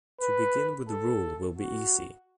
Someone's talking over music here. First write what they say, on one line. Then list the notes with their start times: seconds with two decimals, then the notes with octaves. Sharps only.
To begin with the rule will be easy.
0.20 B4
0.88 A4
1.57 F#4